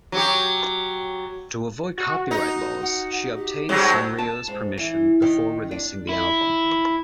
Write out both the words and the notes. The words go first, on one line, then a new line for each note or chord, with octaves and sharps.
To avoid copyright laws, she obtained Sanrio's permission before releasing the album.
F#3 G4
F#4
D#4
F#5
G4
G#2 F#3 G3
A5
G#2
E3
D#3
D4
E4